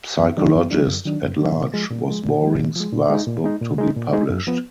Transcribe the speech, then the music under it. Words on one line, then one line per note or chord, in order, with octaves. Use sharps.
"Psychologist at Large" was Boring's last book to be published.
F#2
D#3 F#3 D4
F#2
D#3 F#3 D4
F#2
D#3 F#3 D4
F#2
D#3 F#3 D4
A#2
F3 G#3
A#2
F3 G#3
A#2
F3 G#3
A#2
F3 G#3
A#2
G#3 D#4
A#2
G#3 D#4
A#2
G#3 D#4
A#2
G#3 D#4
F#2
F3 B3